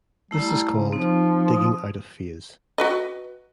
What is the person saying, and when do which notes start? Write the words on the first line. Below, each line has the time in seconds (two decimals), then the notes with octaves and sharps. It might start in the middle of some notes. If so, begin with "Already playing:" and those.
This is called "digging out of phase".
0.31 G3 A3 E4 A#5
0.73 C#3
0.93 F3 C4 D#4
1.50 D#6
2.78 F#4 B4 D#5